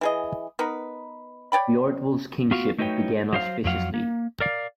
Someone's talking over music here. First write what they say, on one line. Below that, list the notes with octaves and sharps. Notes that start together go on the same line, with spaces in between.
Beorhtwulf's kingship began auspiciously.
E3 G#4 D#5
B3 D#4 A#4 B4
C#5 D5 G5 B5
B3 F4 F#4 F5
A3 D#4 F#4 B4 C#5 G5
F#3 C5 F5
F2 F#3 F5 F#5
A#3
A#4 D5 F5